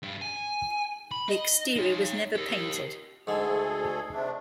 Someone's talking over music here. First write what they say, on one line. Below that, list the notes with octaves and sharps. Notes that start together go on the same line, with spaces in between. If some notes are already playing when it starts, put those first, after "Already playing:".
The exterior was never painted.
G2
G#5
B5
D#5
D#4 C#5
G4 A#4
D2 G#2 G#3 G#4 A4
C3 A3 D4